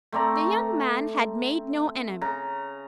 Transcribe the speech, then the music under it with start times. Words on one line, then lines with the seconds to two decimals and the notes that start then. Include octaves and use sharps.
The young man had made no enemy.
0.12 A3 C4 D5 A#5
2.21 C#3 A#5